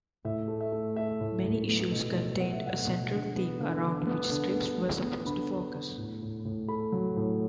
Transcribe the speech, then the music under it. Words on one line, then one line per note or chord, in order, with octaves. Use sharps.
Many issues contained a central theme around which strips were supposed to focus.
A2 E5
A3
E5
A3
A3 E5
A2
A2
B3
B2
B2
B3 F#5
E5
B2 F#5
B2
D3
B3
D3
D3
B3
D3
B3
B3
B3
D3 B5
D3
D3
A2
A2
A2
A3 B5
F#3
A2